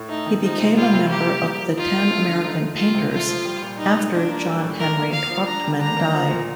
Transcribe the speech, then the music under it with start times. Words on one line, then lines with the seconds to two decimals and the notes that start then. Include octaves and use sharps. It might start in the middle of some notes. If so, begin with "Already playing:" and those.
He became a member of the Ten American Painters after John Henry Twachtman died.
Already playing: A2
0.09 A3 D#4
0.26 D#3
0.43 F3 D#4
0.60 C3
0.77 G3 F4
0.93 C3
1.10 A#3 G4
1.27 G3
1.44 A#3
1.60 F3
1.77 D#4 F4
1.93 A3
2.10 A3
2.27 D3
2.45 D#4
2.61 A3
2.77 G3 F4
2.95 C3
3.12 A3 F4
3.28 F3
3.45 G3
3.62 A#2
3.78 G3 D#4
3.95 C3
4.12 D4 F4
4.29 A#3
4.46 G3
4.62 A2
4.79 D4 A#4
4.96 A#3
5.13 A#3 F5
5.30 F3
5.46 D4 A#5
5.64 G3
5.79 D4 A#5
5.96 A#3
6.14 F3
6.31 A#2